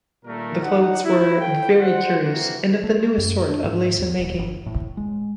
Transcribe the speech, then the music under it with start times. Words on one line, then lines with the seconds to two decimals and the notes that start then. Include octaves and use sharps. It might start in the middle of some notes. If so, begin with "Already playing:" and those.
The clothes were "very curious and of the newest sort of lace and making".
0.25 A#2 D#3 G3 A3 A#4
0.62 F#3 D#4 C#5 F#5
1.04 E4
1.40 A4 C#5 F5 G5
1.78 C5 F#5
2.23 F2 C3 E3 A#3 F#4
2.84 A3
3.18 F#2
3.49 D4
3.64 G#2
3.99 E2
4.19 D#1
4.39 G1
4.66 A2
4.97 G#3